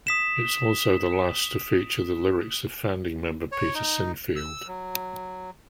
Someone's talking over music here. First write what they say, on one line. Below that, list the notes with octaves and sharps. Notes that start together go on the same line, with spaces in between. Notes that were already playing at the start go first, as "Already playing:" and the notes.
It's also the last to feature the lyrics of founding member Peter Sinfield.
D#6 B6 E7
C#5
D#4
E6
F#3